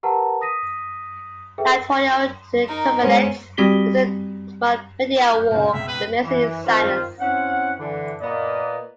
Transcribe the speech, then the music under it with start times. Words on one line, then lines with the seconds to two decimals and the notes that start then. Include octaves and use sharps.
Lateral to the turbinates is the medial wall of the maxillary sinus.
0.03 G4 A#4 B4 F#5 A5 A#5
0.41 D#6 A#6 B6 D#7
1.58 G#4 A4 B4 E5 G5
2.68 D#4 A#4
3.02 G#3 B3 C#4 C5
3.57 G3 C4 F#4 G4 B6 G7
5.34 F6 G6
5.51 A#2 C#3
5.74 C#2 B2 E5
5.88 B4
6.23 E3
6.64 D#3 F3 A#3 C4 F4 C5
7.20 C4 C#4 E4 F#5
7.78 D3 E3
8.21 A#2 A#3 B3 B4 D5 D#5